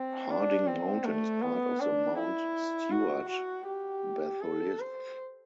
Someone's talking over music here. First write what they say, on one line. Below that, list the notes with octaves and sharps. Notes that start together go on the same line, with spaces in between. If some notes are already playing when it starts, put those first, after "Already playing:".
Harding Mountain is part of the Mount Stuart batholith.
Already playing: C4
D4
C4
A3
B3
D4
E4
F#4
F#4
G4
A4
C5